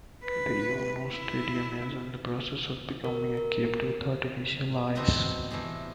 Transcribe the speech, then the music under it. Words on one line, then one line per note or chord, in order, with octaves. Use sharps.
The Yunost' Stadium is in the process of becoming equipped with artificial ice.
B4
E4
A#4
A#4
B2 C4 D4 D#4 F#4 B4
A2 C3 E3 A3